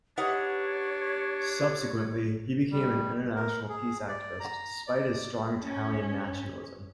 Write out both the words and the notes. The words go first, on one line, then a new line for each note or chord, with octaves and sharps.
Subsequently, he became an international peace activist, despite his strong Italian nationalism.
D4 D#4 G4 B4 C#5 F#5
G3
A#4
G#4
D5
A#5
D5
C#4